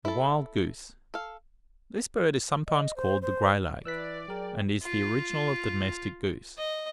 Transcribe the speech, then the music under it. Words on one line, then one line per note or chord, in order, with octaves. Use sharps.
THE WILD GOOSE.--This bird is sometimes called the "Gray-lag" and is the original of the domestic goose.
E4 A4
A4 F5
D#5
C5
C5
E3 B4 D5 E6 F#6 B6
F#3 G#4 A#4 G5
F4
D#5